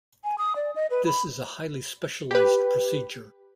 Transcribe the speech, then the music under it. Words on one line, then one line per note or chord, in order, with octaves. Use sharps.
This is a highly specialized procedure.
G#5
D#6
D5
D#5
B4
B5
G4 B4